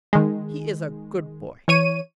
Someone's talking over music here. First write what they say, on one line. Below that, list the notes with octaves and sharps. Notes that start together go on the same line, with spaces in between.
He is a good boy.
D#3 G#3
E3 C#5 D#7